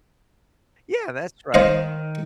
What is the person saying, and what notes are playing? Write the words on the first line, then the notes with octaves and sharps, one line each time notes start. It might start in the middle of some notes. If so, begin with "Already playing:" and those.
Yeah, that's right.
D#3 C5 D#5 F5